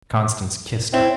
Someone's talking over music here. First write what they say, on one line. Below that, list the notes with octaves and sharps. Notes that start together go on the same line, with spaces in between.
Constance kissed her.
C4 E4 C#5 E5